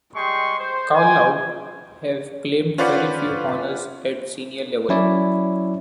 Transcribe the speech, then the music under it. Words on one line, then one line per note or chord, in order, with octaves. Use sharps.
Carlow have claimed very few honours at senior level.
G3 G#3 G5 C6 C#6
C5
C5 G5 G#5
C#4 F4 B4 C5 D5 F#5
F#3 C#4 E4 C#5 D5